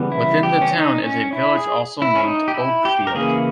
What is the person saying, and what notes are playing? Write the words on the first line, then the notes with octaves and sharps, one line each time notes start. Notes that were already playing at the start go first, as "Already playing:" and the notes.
Within the town is a village also named Oakfield.
Already playing: C#3 E3 G3 B3
E4
G4
C#4
D#4
C#4
E4
G#4
E4
C#4
D#4
G4
E4
G4
A#4
C#3 E3 A#3 C#4 G#4